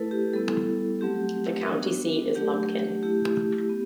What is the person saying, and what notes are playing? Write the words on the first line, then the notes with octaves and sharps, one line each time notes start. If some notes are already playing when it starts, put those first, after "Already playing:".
The county seat is Lumpkin.
Already playing: A3 E4 A4 B4
G4
G3 B3 E4 A4
F#3 A3 C4 F#4 G4
B3 D4 F#4
F#3 A3 D4 G4
A3 E4 G4
B3